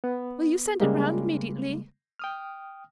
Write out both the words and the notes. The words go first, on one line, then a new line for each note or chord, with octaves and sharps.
"Will you send it round immediately?"
B3
C#3 G3 G#3 A#3
G5 D#6 F6